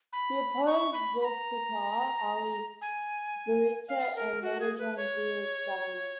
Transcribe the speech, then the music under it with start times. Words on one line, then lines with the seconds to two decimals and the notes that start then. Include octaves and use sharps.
He opposed Zulfikar Ali Bhutto and later joined Zia's government.
0.13 B5
0.66 C#6
0.93 B5
1.20 B5
1.25 A#5
2.81 G#5
3.89 F5
4.16 A#4
4.42 F#4
4.60 G#4
4.78 B4
4.97 C#5